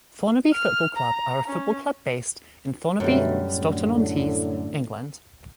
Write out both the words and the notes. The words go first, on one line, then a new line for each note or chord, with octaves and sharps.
Thornaby Football Club are a football club based in Thornaby, Stockton-On-Tees, England.
F6
A#5
C#4
F#2 B2 D3 G3 A3
A2 D3